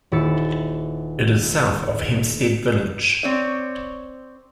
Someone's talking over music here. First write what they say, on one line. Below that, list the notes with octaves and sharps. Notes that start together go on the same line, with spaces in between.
It is south of Hempstead village.
D#1 E4 E6 A6 C#7
C4 C#5 D5